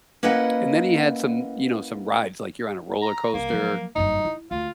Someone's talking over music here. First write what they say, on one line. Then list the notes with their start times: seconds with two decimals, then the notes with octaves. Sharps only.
and then he had some, you know, some rides, like you're on a roller coaster,
0.23 A#3 C#4 E4 B4 D#5 F#5
3.02 A#5
3.34 C2 A#3
3.50 F3 F#3
3.96 F#1 G2 D#4
4.25 E4
4.51 D2 F4